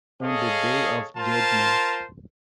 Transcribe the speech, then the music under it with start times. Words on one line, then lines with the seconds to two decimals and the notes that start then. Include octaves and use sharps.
On the Day of Judgment.
0.23 G#4 A4 C#5 D#5 F5
1.17 F4 A#4 C5 A5